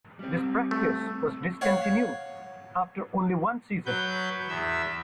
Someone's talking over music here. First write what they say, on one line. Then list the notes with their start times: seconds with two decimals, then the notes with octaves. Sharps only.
This practice was discontinued after only one season.
0.19 G3 C4
0.71 A3
1.61 C#5 F5 F#5
3.86 F#3 B4 G6
4.49 E2 E5 E6